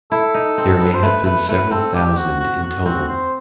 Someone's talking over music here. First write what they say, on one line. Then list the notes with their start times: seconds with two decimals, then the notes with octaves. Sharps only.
There may have been several thousand in total.
0.12 E4 A4
0.35 D#4
0.58 C4
0.80 B3
0.94 C5
1.03 A3 B4
1.26 A3 B4
1.49 A3 B4
1.71 C4 A4
1.94 G4
2.17 F#4
2.40 F#4
2.63 F#4
2.86 C4 F#4
3.08 C5